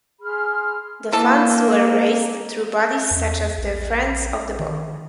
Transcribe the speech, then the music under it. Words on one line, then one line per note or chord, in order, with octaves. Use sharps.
The funds were raised through bodies such as the Friends of the Bog.
G#4 B5 C6 F6
E3 A#3 A4
E2
A#1
D#3